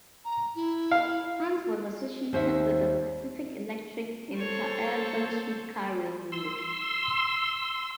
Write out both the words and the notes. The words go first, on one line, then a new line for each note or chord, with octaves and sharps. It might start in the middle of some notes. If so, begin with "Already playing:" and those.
Hunt was associated with the Pacific Electric interurban streetcar railroad.
A#5
E4
F5
D#2 C5 C#5 E5
A4 C5 C#5
C6 E6